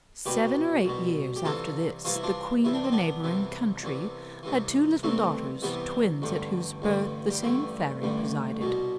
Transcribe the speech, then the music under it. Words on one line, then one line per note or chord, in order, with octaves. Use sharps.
Seven or eight years after this, the queen of a neighbouring country had two little daughters, twins, at whose birth the same fairy presided.
C2 B2 G4 B4
C2 B2
G4
C2 C3 E3 F4 A4
C2 C3 E3 F4
E4
D4 F4
C2 C3 E3 E4
D4
C4
B3 D4
C2 C3 E3
C2 C3 E3
C2 C3 E3
C2 C3 E3 A3 C4
C2 C3 E3 G3 B3
A1 G2 D3
A1 G2 D3
G3
A1 G2 D3 A3
A1 G2 D3
C2 B2